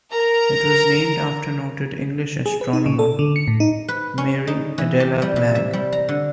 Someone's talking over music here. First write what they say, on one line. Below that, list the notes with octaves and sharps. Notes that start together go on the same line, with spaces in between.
It was named after noted English astronomer Mary Adela Blagg.
A#4 A#5
G#4
B4
D#4
C#3
A4
D3
C#7
A2
D#4
B4
C#4
D#4
E3
G4
G3
C3
E5
G3
A#5
D3